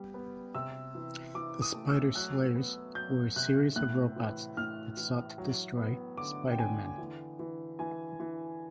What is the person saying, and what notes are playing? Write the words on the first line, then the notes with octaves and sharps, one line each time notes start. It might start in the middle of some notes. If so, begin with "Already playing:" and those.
The Spider-Slayers were a series of robots that sought to destroy Spider-Man.
Already playing: G3 B3
B3
C3 E6
E3
E3 D6
D#6
A3
E6
F#3 F#6
B3
F#3 G6
C3 F#6
A2 F#6
E3
A2 F6
E3
F#3
B3
D3 D6
G5
D3 G#5
E3
E3
E3 G#5
E3